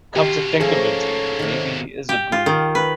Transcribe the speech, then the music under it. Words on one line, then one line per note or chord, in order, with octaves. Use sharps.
Come to think of it, maybe he is a guru.
B2 F4 G4
G#2 F3 A3 A#3 C#4 G#4 A4 C#5
C3 D#3
G4
F4
D#3
B4